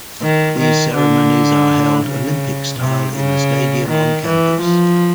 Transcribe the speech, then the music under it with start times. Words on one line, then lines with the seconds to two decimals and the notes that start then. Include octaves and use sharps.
These ceremonies are held Olympics style in a stadium on campus.
0.22 D#3
0.59 D#3
0.95 D3
2.05 C#3
2.79 C3
3.16 C#3
3.89 D#3
4.26 E3
4.62 F3